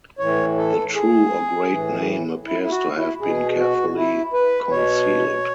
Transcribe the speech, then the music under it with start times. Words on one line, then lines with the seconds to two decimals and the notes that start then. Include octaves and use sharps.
The true or great name appears to have been carefully concealed.
0.19 A2 E3 C#5
0.57 A4
0.95 G#4
1.70 A2 E3
2.46 E4
2.62 E4
2.71 F#4
2.96 E4
3.21 B2 G#4
3.59 F#4
3.96 E4
4.34 B4
4.71 B2 C#5